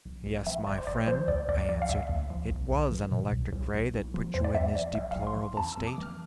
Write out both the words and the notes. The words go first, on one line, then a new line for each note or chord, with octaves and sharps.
"Yes, my friend," I answered, "it was an electric ray that put you in this deplorable state."
B1
B1
F3 E5
G#1 D5
C5
G#1 D5
F3 C5
D2 D5
D2 D5
F3 D5
F5
D2 E5
D2
F3
B1
B1
E3
B2
C2
C2
B1
B1
F3
E2 C5
D5
E2 E5
F3 D5
B1 E5
F5
B1
C6
E3
F2 A5
E6
F2
D6
E3 F6